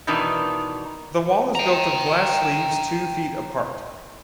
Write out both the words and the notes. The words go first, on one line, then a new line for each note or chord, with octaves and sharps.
The wall is built of glass leaves two feet apart.
B2 D#3 E3 D4 D#4
G5 A#5